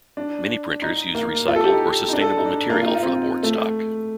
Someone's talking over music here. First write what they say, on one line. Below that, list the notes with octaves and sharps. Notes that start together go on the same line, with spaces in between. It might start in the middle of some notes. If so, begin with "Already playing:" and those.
Many printers use recycled or sustainable material for the board stock.
D4
D#4
A#3
F4
A4
G4
D#4
D#4
D4
A4
D#4
D4
A#3
F4
D#4
F4
C4
A3